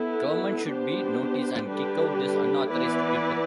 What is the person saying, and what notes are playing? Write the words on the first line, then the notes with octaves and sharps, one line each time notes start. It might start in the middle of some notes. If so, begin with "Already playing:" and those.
Government should be notice and kick out this unauthorized people.
Already playing: B3 E4 A4
B3 D4 G4 C5
D3 G3 D4 G4 B4
E3 B3 E4 B4 D5